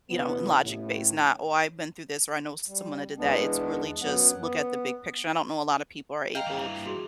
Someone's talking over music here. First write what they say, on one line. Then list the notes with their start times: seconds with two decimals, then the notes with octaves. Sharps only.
you know, and logic-based not, "Oh, I've been through this, or I know someone that did that." It's really just look at the big picture. I don't know a lotta people are able
0.11 C3 E3 B3
0.63 A1 A2
2.68 G3
3.18 E2 G#3 B3 D4
4.02 F#2 F#3 B3 F#5
4.41 B3
6.35 D#5 F5 G5 A#5
6.47 G2 E3
6.86 F#4 G#4